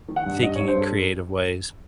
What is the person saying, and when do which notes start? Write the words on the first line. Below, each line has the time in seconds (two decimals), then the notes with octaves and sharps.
thinking in creative ways.
0.08 D#3
0.16 F#5
0.25 G2
0.42 G2 D#5
0.55 C#5
0.60 G2
0.68 C5
0.77 G2 A4